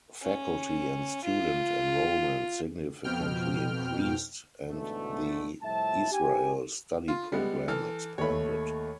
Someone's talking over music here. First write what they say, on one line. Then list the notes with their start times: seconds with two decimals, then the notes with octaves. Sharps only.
Faculty and student enrollment significantly increased, and the Israel study program expanded.
0.22 C#4
1.25 F4
3.04 F2 B2 G5 F6
4.70 D2 G#2 B2 D3 E3 A3
5.62 C2 F2 A2 F3 E5 A5
6.12 G4 G#5
7.08 F4
7.32 G3 G#3 B3
7.68 E3 A4 F6
8.18 D#2 A3 C#5 B5